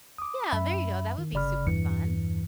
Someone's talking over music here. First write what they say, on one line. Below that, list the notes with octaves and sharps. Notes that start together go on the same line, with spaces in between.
Yeah, there you go, that would be super fun.
D6 D#6
F#2 E5 B5
D#3
G1 C#3 D5 B5 F6
E2 G2 E3 C#7